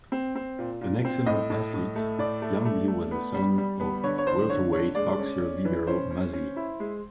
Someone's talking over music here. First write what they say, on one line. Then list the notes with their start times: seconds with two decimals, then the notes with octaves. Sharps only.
An excellent athlete, young Lee was the son of welterweight boxer Libero Mazzilli.
0.12 C4
0.35 C4
0.59 A#2
0.81 A#2
1.05 C4
1.26 A2 D#5
1.50 A2
1.74 A2
1.96 A3
2.18 A2 D5
2.42 A3
2.65 A3
2.88 A3
3.11 B3
3.34 G3
3.58 G3
3.80 B3
4.03 D3 C#5
4.18 C#5
4.27 D3 C5
4.50 D3 C#5
4.72 D3 C#5
4.95 G#3 D5
5.19 C#4
5.41 C#4
5.65 E3
5.87 C#4 C5
6.10 C#4
6.33 C#4
6.56 E4
6.80 G#3